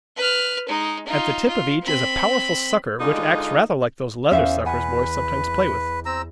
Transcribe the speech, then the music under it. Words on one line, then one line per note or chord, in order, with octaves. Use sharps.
At the tip of each is a powerful sucker, which acts rather like those leather suckers boys sometimes play with.
B4 F6
G#3 D#4
D#4 F4
F4
C4 B5
D3 G#3 D#4 F4
E2 C#4 E5 F5
B4 F#5 G#5
C4 A#5 E6